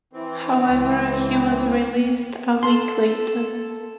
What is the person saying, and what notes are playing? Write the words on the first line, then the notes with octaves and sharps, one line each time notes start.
However, he was released a week later.
E3 C4
C#2
A4 C6